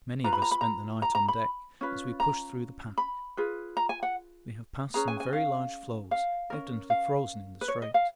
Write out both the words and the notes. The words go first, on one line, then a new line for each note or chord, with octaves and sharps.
'Many of us spent the night on deck as we pushed through the pack.' We have passed some very large floes evidently frozen in the strait.
F4 B4 A#5
B5
A#5
B5
A#5
A#5
A#5
B5
C#4 F4 B4
A#5
B5
F4 G#4 B4
A#5
G#5
F#5
C#4 G#4 B4 A#5
G#5
G#5
F5
F5
C#4 F#4 A#4
F5
B4
C#5
D#5
F5